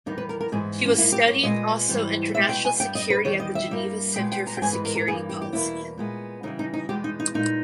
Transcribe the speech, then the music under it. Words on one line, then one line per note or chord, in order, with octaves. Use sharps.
She was studying also international security at the Geneva Centre for Security Policy.
E2 D#3 G3 B3 D#4
B4
A#4
A#4
G#2 E3 G#3 B3 G#4
C#4
G#2 G3 A#3 E4
G4
C#5
A#2 G#3 B3 D#5
G#2 E3 G3 B3
B2 G#3 B3 E5
G5
G#5
G2 G3 B3 G5
D#5
B4
E2 D#3 G3 C#5
D#5
E5
G2 G3 A#3
A#2 G#3 B3 G5
G5
A#5
G5
G#2 E3 G#3 B3 G#5
B4
A#4
A#4
G2 E3 G3 A#3 G#4
G4
G4
E2 B2 A#3 E4
A#2 G#3 B3
C#3 E3 G3 D#4
D#4
D#4
E2 B2 G#3 B3 G4
D#4
D#4
A#2 G#3 B3 D#4